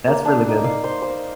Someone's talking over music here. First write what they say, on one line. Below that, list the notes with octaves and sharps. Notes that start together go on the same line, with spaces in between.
that's really good.
A#3
D4
D#4
F5
C5
C5